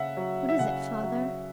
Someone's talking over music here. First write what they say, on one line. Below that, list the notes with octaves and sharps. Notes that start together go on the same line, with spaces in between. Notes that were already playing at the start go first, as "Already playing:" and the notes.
"What is it, father?"
Already playing: C#3 E5 F#5
F#3
E5
C#3 F#5
F#3